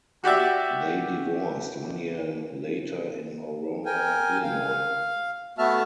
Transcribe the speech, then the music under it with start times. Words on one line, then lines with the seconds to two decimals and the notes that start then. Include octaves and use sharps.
They divorced one year later in Aurora Illinois.
0.24 F#4 G4 D5 E5
3.86 A#4 G5 G#5
4.43 F5
5.58 A3 B3 F#4 E5 A5 F6